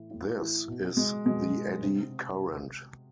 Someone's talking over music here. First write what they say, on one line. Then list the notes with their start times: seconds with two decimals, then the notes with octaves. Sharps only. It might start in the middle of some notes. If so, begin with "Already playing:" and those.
This is the eddy current.
Already playing: A2 E3
0.11 A2
0.39 E3
0.68 B2
0.97 G#3
1.25 B2 G#3
1.83 C3